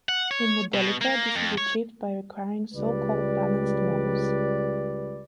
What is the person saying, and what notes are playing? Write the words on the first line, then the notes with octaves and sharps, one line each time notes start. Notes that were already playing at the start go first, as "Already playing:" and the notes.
In Modelica, this is achieved by requiring so called balanced models.
F#5
C#5
B2
A#3
F2
C#5
C#2 G3 B4 D5